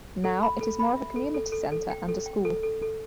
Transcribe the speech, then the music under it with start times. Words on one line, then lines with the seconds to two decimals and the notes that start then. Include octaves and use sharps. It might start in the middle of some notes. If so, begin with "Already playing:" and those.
Now, it is more of a community centre and a school.
0.24 A4
0.42 B5
0.61 A4
0.79 B5
0.97 E5
1.16 A4
1.34 A4
1.52 A4
1.72 A4
1.90 G5
2.08 A4
2.26 G5
2.45 A4
2.63 A4
2.82 A4